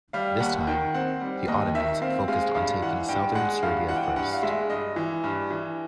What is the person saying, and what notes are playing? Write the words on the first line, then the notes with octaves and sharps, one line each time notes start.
This time, the Ottomans focused on taking southern Serbia first.
G3 F5
D#2 F#5
D#3 G5
C4 F#5
G3
D#2 D#5
D#3 E5
C4 F5
G#3 F5
G2 F5
E3 F#5
G2 G5
G#3 F#5
G2 F5
E3 F#5
G5
F#5
G2 F#5
F5
G#3 E5
G2 D#5
E3
G2
E3